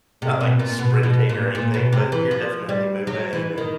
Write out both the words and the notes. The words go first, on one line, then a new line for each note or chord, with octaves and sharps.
not like sprinting or anything, but you're definitely moving and
C3
B2
A#2
B2
B2
A#2
A#2
B2
C3
E3
F3
G3
F#3
E3
D#3